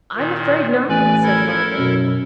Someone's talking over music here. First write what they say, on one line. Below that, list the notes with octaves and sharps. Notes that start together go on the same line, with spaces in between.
'I'm afraid not,' said Margaret.
A#2 D#3
A1 B4 D5 G#5
E4 A4 A#4 G#6
F#2 B2